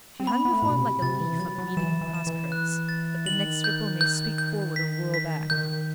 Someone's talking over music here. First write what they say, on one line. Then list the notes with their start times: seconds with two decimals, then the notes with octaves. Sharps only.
She hung before him like a leaf on the meeting of cross-currents, that the next ripple may sweep forward or whirl back.
0.20 C4
0.27 B3 B5
0.45 B3
0.53 A3
0.62 A2
0.65 B2 B5
0.77 C3
1.02 C3 A6
1.20 E3
1.39 F#3 A6
1.58 F#3
1.77 E3 E7
2.01 E3
2.15 E7
2.27 E3
2.52 F#6
2.89 A6
3.26 D#3 F#7
3.64 G6
4.01 G6
4.38 G6
4.76 B6
5.14 B6
5.50 D#3 G6